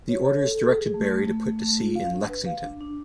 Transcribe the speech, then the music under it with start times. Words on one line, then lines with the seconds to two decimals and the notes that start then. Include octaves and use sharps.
The orders directed Barry to put to sea in "Lexington".
0.09 C#5
0.25 C#5
0.43 A4
0.59 A4
0.76 G#4
0.94 A3
1.10 A3
1.27 A3
1.44 A3
1.62 A3
1.79 F4
1.96 F5
2.13 D4
2.29 B4
2.46 F5
2.63 D4
2.81 D4